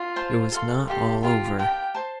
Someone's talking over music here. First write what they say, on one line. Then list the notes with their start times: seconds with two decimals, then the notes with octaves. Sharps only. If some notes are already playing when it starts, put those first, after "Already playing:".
It was not all over.
Already playing: F4
0.16 C5 A5 C6
0.52 A4 F5 C6
0.88 G4 A4 F5 C6
1.23 F4 G4 F5 A5
1.59 G4 F5 G5 A5
1.95 C5 A5 C6